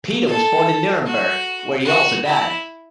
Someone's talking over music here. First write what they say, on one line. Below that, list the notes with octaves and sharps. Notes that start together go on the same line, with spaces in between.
Peter was born in Nuremberg, where he also died.
A4
F#4
F#4
E4